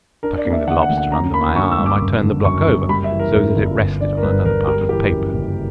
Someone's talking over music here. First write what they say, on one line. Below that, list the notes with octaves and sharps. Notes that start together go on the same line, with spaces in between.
Tucking the lobster under my arm I turned the block over, so that it rested on another part of the paper.
D4 A#4
D5
A#3
E5
D3 F#5
F#5
D2
F#5
C#4 A#5
A#3 B5
D3 C#6
E6
G2
D6
F#1
D3
F#2 C#6
F#1
G3 B5
E5
E3
A#4
F#2
G1
G1
D3 D5
A#4
G2 B4
G1 A#4
G3 A#4
E3 G4
F#2
F#1